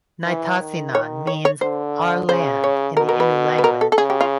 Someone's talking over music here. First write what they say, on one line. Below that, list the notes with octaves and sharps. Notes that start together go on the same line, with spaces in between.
Nitassinan means "our land" in the Innu language.
E3
D#3
C#5
C#5
C#5
D3 C5
C#3 C5
C#5
B2 A#4
A#4
B4
B4
A#4
A4
A4
C#3 G#4
G4
F4